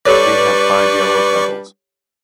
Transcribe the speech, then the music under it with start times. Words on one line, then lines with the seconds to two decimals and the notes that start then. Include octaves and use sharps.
They have five yellow petals.
0.05 G3 D4 G4 A4 B4 C#5 D5 C#6